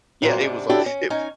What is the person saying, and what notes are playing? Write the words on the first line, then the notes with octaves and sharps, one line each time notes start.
Yeah, it was li it
A#2 F#3 G3 A#3 C4
G#2 C3 D4
D3 F#3 D4 E4 G4 A4
C#4
C#4 D#4 G#5